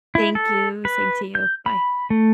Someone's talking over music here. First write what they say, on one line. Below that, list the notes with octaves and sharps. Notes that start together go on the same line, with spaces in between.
Thank you, same to you, bye.
E4
A4
B4
G6
B5
A3